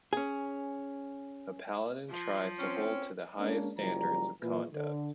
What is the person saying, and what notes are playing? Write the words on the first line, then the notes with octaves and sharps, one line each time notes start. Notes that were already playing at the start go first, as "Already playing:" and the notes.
A paladin tries to hold to the highest standards of conduct.
C#4 G#4
F3
C4 C#4
G#3 A#3 C#4 D4
F#1 F3 G3 A#5
A#2 E3
D3